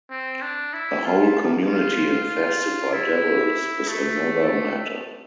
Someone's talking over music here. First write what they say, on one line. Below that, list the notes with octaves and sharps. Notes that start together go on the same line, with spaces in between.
A whole community infested by devils is another matter.
C4
D4
E4
F4
F4
E4
A3